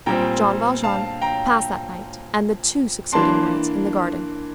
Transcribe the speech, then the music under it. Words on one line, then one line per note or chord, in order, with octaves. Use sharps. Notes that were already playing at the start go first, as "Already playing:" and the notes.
Jean Valjean passed that night and the two succeeding nights in the garden.
A#2 G3 C4 G5 A#5
F5 A5
G5 A#5
E3 A#3 D4 A5 C6